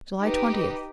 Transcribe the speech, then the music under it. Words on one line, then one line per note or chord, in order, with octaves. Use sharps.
July Twentieth.
D#4 G4 B4 D#5